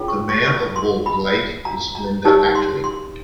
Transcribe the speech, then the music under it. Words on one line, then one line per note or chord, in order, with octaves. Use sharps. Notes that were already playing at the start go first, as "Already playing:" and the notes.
The mayor of Walled Lake is Linda Ackley.
Already playing: C#4 F4 G#4 C#5
C#6
C#6
C#6
C6
B5
A#5
A#5
D#4 G4 A#4 C#5 A5
C6
C6